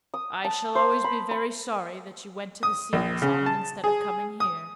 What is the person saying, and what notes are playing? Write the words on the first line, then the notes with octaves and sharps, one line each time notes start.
"I shall always be very sorry that you went to the sea this autumn, instead of coming here."
D#6
A5
C5
B5
B5
D#6
A#1
C#3
A5
G#4
D#6